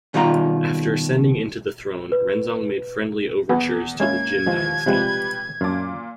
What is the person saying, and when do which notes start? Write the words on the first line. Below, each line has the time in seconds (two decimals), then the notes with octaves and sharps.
After ascending into the throne, Renzong made friendly overtures to the Jin Dynasty.
0.14 B2 D#3 G3 F4 A#5
2.12 B4
3.49 E2 B3 G#4 B4
4.00 G#3 A#3 C#4 E4 G#6
4.46 D#2 F3 G#3
4.86 C3 F3 G3 G#3 G4 B4
5.61 F#2 A#2 A5 D6